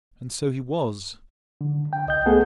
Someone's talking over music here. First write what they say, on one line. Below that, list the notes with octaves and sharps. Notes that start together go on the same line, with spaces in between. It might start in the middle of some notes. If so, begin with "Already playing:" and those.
And so he was.
D3
G5
C2 D#5 G6
A3 B3 G#4 A4 F#5